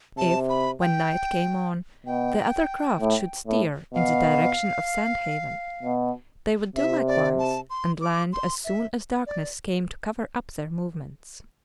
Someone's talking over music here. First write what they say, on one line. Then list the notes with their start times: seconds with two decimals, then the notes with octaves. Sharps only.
If, when night came on, the other craft should steer in the direction of Sand Haven, they would do likewise, and land as soon as darkness came to cover up their movements.
0.17 C3 A5
0.49 B5
0.81 G5
2.06 B2 G5
3.00 A2
3.47 A2
3.93 B2 F5
5.83 B2
6.76 C3 E5
7.07 D5
7.39 A5
7.70 C6
8.01 D6
8.33 C6
8.64 E5
9.27 D5